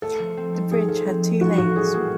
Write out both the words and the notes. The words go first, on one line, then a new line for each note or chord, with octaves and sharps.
The bridge had two lanes.
A3 A4
F3
C4
D#4
A3 G#4
F3 A4
C4
D#4
E3 F#4
A2 F#4
G3 G#4
A#3 G#4